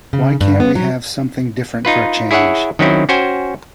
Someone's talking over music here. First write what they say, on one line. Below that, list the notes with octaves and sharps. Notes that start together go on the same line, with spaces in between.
Why can't we have something different for a change?
C#3
G2
B3
F#3
D#4 F4 B4
E4 G#4 C#5 E5 F#5
D#3 F#3 C4 C#4 E4
C#4 F#4 C5 G5 G#5